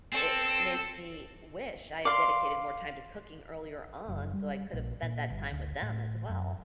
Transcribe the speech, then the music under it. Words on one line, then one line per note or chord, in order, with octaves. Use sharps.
it makes me wish I had dedicated more time to cooking earlier on, so I could have spent that time with them as well.
C4 A4 E6
D5 F5 C6
F#1
G3
A#1
A#2
G1
D2
A2
F#2